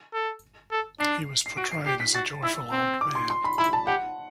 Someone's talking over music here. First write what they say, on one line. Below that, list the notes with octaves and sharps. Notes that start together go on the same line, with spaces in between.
He was portrayed as joyful old man.
A4
A4
D4 C7
C7
F#4 D7
C7
G4 C7
B6
F#4 A6
E4 E6
C4
D6
C6
C6
B5
E4 B5
A5
G4 F#5